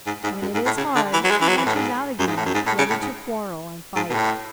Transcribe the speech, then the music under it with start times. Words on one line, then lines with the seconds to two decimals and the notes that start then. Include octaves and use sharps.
When it is hard, he ventures out again, ready to quarrel and fight.
0.06 G#2
0.23 G#2
0.42 F#2
0.54 G#2
0.66 A2
0.77 C#3
0.95 D3
1.13 E3
1.24 F#3
1.31 G#3
1.41 E3
1.48 F#3
1.57 E3
1.66 A2
1.75 G#2
2.19 F#2
2.28 G#2
2.37 A2
2.45 F#2
2.54 G#2
2.66 A2
2.78 C#3
2.90 A2
3.02 G#2
3.96 G#2
4.10 B2
4.14 A2